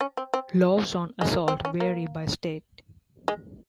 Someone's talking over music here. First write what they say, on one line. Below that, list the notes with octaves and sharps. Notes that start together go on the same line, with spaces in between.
Laws on assault vary by state.
C#4
C4
C4
G#3
A#3
C4
C#4
A#3
G#3